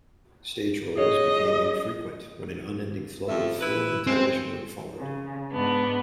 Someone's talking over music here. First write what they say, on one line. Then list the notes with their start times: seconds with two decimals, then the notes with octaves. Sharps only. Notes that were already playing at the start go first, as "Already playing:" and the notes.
Stage roles became infrequent when an unending flow of film and television work followed.
0.97 G#4 C#5 D#5
3.28 F2 A3 E5
3.61 E4 B4
4.07 C#3 G#3 C4
4.99 C#3
5.53 G#2 B3 D4